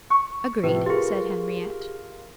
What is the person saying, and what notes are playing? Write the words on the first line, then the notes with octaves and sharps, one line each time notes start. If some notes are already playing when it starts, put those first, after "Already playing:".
"Agreed," said Henriette.
C#6
A2 C3 F3 B4
F4 G4 G#4 A#4